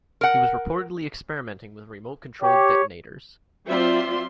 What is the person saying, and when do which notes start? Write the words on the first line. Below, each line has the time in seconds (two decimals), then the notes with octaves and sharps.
He was reportedly experimenting with remote-controlled detonators.
0.21 A#4 F#5
2.42 G4 C#5
3.68 F#3 C4 F4 D5 E5 C6